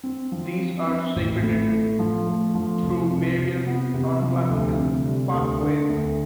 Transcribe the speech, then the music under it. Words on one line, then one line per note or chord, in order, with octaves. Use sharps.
These are secreted through various nonclassical pathways.
C4
F3
C4
C4
A1
A2
A3
F3
A3
F3
C2
C3
C3
B3
C3
F3
D2
C3
G3
D2
D3
D2